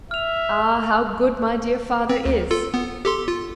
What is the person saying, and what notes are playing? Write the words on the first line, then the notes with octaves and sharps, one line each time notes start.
"Ah, how good my dear father is!"
E5 F6 F7
C4
D2
F4 A4
B3
G4 A4 C6
F4